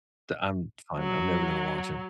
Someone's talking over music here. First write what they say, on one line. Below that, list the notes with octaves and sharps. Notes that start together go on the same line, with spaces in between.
D I'm fine, I'm never gonna watch it.
F#3